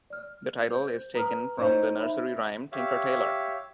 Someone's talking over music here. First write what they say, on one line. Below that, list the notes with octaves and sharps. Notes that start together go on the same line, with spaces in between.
The title is taken from the nursery rhyme "Tinker, Tailor".
D5 F6
C5 G6
B4 A#5 D#6 F6
D#4 C5 C#5
E5 B5
G4 C#5 E5 F5